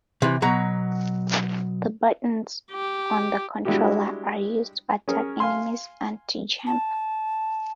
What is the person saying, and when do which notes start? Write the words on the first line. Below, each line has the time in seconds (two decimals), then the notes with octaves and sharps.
The buttons on the controller are used to attack enemies and to jump.
0.22 C3 E3
0.42 B2 F#3 A#5
2.72 G4
3.65 G3 G#3 D4 E4 F#4 G4
5.08 C#4 G#4 A#4 C#5
5.40 F5 G#5 C6
6.67 A5